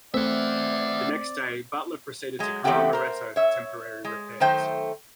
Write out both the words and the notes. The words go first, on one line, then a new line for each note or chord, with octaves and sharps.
The next day, "Butler" proceeded to Kerama Retto for temporary repairs.
A3 C4 D5 E5 F#5
F#3 G#3
E2 E3 A3 C4 G4 F#5
A#4 C5
C#5 E5
G#3
D#3 F#3 A3 C5 G5